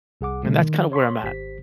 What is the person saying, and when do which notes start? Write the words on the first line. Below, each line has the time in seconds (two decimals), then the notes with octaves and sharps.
and that's kind of where I'm at.
0.21 C2 G#4 F#5 D6
0.44 B2 D3 G3 A3
0.60 D#3
0.92 C#5 C6 C#6 B6
1.23 G#1 G4 C5 B6